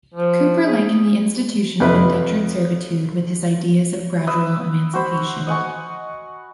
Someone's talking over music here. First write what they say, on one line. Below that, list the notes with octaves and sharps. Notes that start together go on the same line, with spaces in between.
Cooper likened the institution of indentured servitude with his ideas of gradual emancipation.
F3
G#4
F2 C3 B4
B4 E5 D#6
F#4 C5 B5
D#5 F#5 G#5 C#6